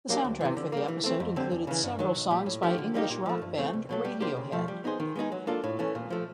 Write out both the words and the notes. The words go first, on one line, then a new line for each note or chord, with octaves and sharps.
The soundtrack for the episode included several songs by English rock band Radiohead.
F#3 A#3 D4 G4
D2
C3 E3
D3
G3 A#3
E3
A3 C4
F2
D3 G3 C4
E2
C#3 E3
G2
D#3 F#3
B1
A#2 G3
A2
F3 A3 D4 G4
D3
G3 A#3 D#4 G4
A#2
F3 A3
G2
E3 A3 C4
C2
B2 F#3 A3
G3
A#3 D4 G4 C5
C#3
F3 A3
G3
B3 D#4 G#4 C5
D#3
G#3 B3 D#4 G#4
F#3
A#3 D4 F4 A4
A2
E3 A3 C#4
A#2
F3 A3